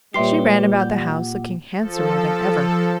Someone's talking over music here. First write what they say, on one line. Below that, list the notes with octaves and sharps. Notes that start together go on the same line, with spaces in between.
She ran about the house looking handsomer than ever.
A#2 G3 G4 B4 C#5 E5 C6 C7
F#5 G6
F3 A4